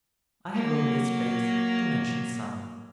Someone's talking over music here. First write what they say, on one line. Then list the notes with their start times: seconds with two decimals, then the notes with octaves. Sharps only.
I have only space to mention some.
0.54 F#3 A#3